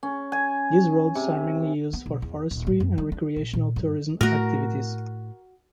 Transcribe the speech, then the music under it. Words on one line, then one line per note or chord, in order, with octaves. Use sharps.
These roads are mainly used for forestry and recreational tourism activities.
C#4
G#5
C3
B3
B1
E2
D#1
A2
F#2
G3
D4
A#1
A#2
G2
A2 A3 F#4 A#4